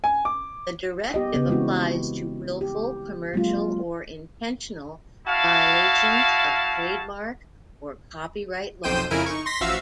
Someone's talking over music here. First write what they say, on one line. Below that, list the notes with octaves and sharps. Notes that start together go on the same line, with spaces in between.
The Directive applies to "willful, commercial or intentional" violations of trademark or copyright laws.
G#5
D6
B3 G4 D#5
C#3 B3
E3 G#3 C4 E4 F#4
G4
F#3 G#3 A#3 C4 F4
E4 F#4 F5 A5
B1 F2 C5 G5 G6 D#7
F2 C#3 E4 A#4 G#5 D7
D#4 C#6
C6 A#6 B6
A1 F3 F#4 E5 F5 E6